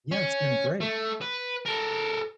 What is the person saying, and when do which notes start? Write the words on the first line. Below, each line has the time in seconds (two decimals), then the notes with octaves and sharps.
Yeah. It's been great.
0.12 C#4
0.81 A3
1.21 B4
1.66 A4 A#4